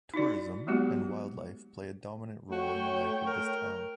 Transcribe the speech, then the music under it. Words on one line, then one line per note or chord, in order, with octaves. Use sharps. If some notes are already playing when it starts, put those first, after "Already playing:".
Tourism and wildlife play a dominant role in the life of this town.
D#4 E4 F#4 D5
F#3 G#3 A#3 B3 F#4 G4
A3 F#4 C#5 G5
A#4